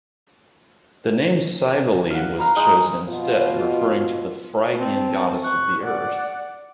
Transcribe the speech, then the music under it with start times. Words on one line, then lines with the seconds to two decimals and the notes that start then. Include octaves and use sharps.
The name Cybele was chosen instead, referring to the Phrygian goddess of the earth.
2.10 F5 F#5
2.39 F5 A#5 B5
2.56 G#3 D#4
3.09 B2 F4
4.76 C4 A5
5.44 C#6 F#6
5.83 D5 F#5